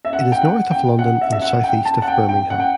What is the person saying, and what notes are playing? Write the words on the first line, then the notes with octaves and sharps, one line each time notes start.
It is north of London and southeast of Birmingham.
E5
F#5
G5
F#5
G5
F#5
E5
E5
F#5
G5
A5
F#5
G5
G5
F#5
G5